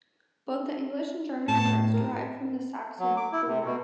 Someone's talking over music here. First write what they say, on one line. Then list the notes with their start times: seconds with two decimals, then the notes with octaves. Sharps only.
Both the English and German words derive from the Saxon "brunna".
1.48 A2 A5
1.93 A#4
2.99 F#3
3.17 D6
3.32 E4
3.47 C3
3.65 B2